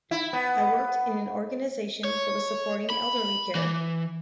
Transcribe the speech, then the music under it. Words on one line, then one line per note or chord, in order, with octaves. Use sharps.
I worked in an organization that was supporting elderly care.
E4
B3
C#5
B5
E3